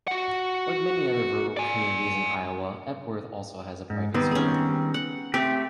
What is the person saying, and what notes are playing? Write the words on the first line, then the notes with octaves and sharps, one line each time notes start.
Like many other rural communities in Iowa, Epworth also has a private school.
F#4 F#5
D5 G#5
G#2
D#3 G3 B3 C4
C#4 G#4
F#5
A3 C4 G4